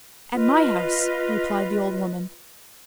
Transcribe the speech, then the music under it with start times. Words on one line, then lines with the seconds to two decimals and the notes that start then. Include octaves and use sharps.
"At my house," replied the old woman.
0.34 F4 B4 D#5